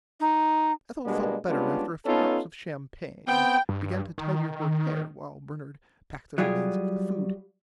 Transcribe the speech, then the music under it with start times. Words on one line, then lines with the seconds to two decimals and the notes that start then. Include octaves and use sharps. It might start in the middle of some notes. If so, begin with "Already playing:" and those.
Ethel felt better after a few drops of champaigne and began to tidy her hair while Bernard packed the remains of the food.
0.20 D#4
1.05 B2 G3 G#3 A#3 B3 D4
1.48 G3 G#3 B3 C#4 D4 F4
2.06 B3 C#4 D#4 F4 A4
3.27 B3 C4 G5
3.69 G2
4.18 D#3
6.38 F#3 G3 F4 G#4